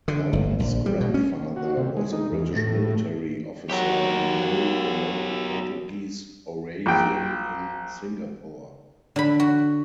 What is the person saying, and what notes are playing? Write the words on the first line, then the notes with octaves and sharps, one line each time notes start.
Colin's grandfather was a British military officer who married a local Portuguese-Eurasian in Singapore.
D3
G1
A#1
G3
B2
C#4
F#4
C3
G#3
D#4
E2
A2
B1 F#3 F#4 G4 A#4
A#1 G5
D3 B5
F#4